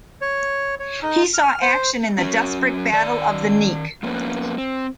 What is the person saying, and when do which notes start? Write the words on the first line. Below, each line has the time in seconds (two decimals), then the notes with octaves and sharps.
He saw action in the desperate Battle of the Nek.
0.22 C#5
0.79 C#5
1.03 D#4
1.34 F6
1.61 C5
2.18 F#3 C#4
2.93 D#3 D5
4.03 F3 A#3 B3 C#4
4.58 C4